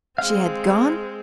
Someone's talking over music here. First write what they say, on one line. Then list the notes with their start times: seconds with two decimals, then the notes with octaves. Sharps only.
"She had gone?"
0.18 G#3 C4 F5